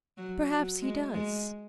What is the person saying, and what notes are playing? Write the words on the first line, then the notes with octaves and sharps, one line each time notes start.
Perhaps he does.
F#3
F#3
G#3
G#3